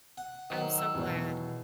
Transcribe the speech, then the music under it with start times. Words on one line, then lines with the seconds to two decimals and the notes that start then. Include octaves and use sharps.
I'm so glad.
0.18 F#5
0.50 D#3 F#3 C5
0.78 E6
0.94 E2 B2